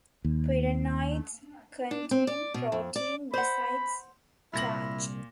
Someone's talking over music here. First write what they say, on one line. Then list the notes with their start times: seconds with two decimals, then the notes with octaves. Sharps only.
Pyrenoids contain protein besides starch.
0.25 D#2
1.91 D4
2.11 C4
2.27 D5
2.54 B2
2.72 F2
2.96 D5
3.34 C5 F#5 B5
4.53 C2 A#2 E4 A#6 F#7